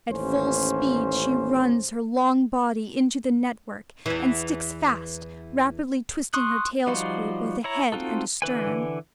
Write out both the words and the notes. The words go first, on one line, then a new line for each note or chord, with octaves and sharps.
At full speed she runs her long body into the network and sticks fast, rapidly twisting her tail-screw both ahead and astern.
A1 D#2 C#4 C5
E2 E3
C6 C#6 D#6 F#6
F3 G3 D#4 F4 F#4
E4 C#5 A#5
C4 D#4 F4 F#4 A4
D3 E3 B4 G#5